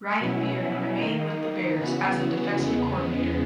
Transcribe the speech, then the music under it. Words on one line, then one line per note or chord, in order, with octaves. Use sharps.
Ryan Beard remained with the Bears as the defensive coordinator.
B2 F#3 C#4 E4
D#3 A#3 D#4
C#3 E3 B3 F#4
E2 C#3 G#3 B3